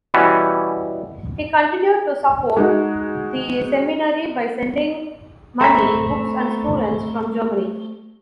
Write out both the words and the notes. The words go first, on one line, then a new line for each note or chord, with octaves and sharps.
He continued to support the seminary by sending money, books, and students from Germany.
B2 E3 G3 B3 C#4
G#3 D#4 F#4
A3 C4 E5 A#5 B5 B6